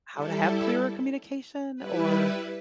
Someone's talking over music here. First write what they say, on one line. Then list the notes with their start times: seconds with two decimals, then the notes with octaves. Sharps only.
how to have clearer communication? Or,
0.13 G3 E4 A4
1.76 G3 E4 B4